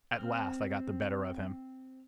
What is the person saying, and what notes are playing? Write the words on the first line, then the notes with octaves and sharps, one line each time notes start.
At last I got the better of him.
C4 F6